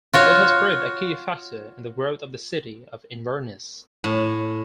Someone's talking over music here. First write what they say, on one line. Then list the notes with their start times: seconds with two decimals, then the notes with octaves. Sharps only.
It has proved a key factor in the growth of the city of Inverness.
0.14 F4 F#4 C#5
4.04 A2